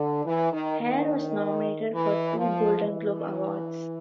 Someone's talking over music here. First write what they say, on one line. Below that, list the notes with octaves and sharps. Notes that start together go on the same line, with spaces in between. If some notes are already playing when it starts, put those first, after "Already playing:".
"Hair" was nominated for two Golden Globe Awards.
Already playing: D3
E3
D#3
D#3
E3
F3
E3